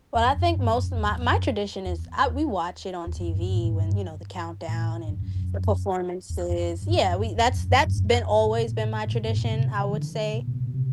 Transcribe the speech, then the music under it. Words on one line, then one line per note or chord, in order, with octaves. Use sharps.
Well, I think most of my my tradition is, I we watch it on TV when, you know, the countdown and the performances, yeah, we that's that's been, always been my tradition, I would say,
E2
F#2
G2
F#2
E2
F#2
E2
E2
F#2
G2
G2
A2
G2
A2
F#2
F#2
F#2
E2
F#2
G2
F#2
G2
F#2
E2
F#2
G2
F#2
G2
F#2
G2
A2
B2
A2
A2
B2
G2
A2
B2
C3
E3
D3
B2
B2
B2
C3